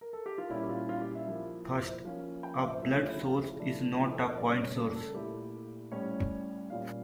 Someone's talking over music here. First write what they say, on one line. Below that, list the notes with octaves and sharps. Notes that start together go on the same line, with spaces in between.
First, a blood source is not a point source.
A#4
A4
G4
F4
A#2 G3 C#4 E4
G4
F4
F4
G4
E5
F3 A#3 E4
F3 A#3 C#4 F5
G5
F5
E5
F3 A3 C#4 E5
C#5
F4
E4
F4
E4
F3 A3 D4 E4
E4
A4
A#4
C#3 G3 C#4 D5
D5
C#5
A4
A4
A#2 A3 E4 G4
A2 G3 C#4 C#5
A#2 G3 C#4 F5